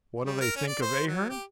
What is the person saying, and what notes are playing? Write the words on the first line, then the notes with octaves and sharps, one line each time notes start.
What do they think of Ahearn?
G3
A#4
C#4
D5
C5
F#3
G4